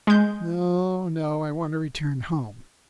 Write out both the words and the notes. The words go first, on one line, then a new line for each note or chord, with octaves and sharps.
"No, no. I want to return home."
G#3 G6